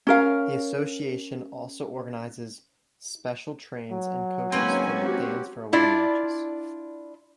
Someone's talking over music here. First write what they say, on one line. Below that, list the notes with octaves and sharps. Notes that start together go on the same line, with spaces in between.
The association also organizes special trains and coaches for fans for away matches.
C#4 A#4 F5
F#3
G#3 A#3 C4 C#4 D#4 B4 G#5
F#4 G4
D4 E4 F4 D5